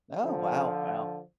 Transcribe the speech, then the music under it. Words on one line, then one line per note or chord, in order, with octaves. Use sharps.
Oh, wow, wow.
D3 F3